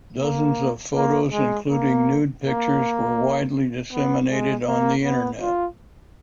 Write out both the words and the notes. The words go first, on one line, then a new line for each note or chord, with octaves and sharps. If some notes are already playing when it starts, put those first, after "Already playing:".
Dozens of photos, including nude pictures, were widely disseminated on the Internet.
A#3
A#3
G#3
A#3
A#3
B3
G#3
A#3
B3
F4